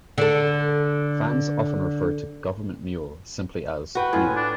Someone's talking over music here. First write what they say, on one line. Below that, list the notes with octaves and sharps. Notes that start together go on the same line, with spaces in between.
Fans often refer to Gov't Mule simply as "Mule".
D3 A4
F#4 B4 G5
A2 F4 G#5
D4